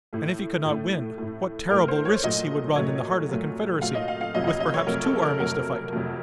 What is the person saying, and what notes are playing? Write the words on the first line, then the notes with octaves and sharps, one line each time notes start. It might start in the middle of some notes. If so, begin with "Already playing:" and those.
And if he could not win what terrible risks he would run in the heart of the Confederacy, with perhaps two armies to fight!
A2 A3
A2 A3
A2 A3
A2 A3 A#4
C5
C#5
A#2 F#3 A3 D#5
A#2 F#3 A3 C#5
A#2 F#3 A3
A#2 F#3 A3 F5
D#5
F5
F5
F2 C3 F#3 A3 D#5
F5
D#5
D#5
C#5
F2 C3 F#3 A3 A#4
A4
A#4
F2 C3 F#3 A3 A#4
F2 C3 F#3 A3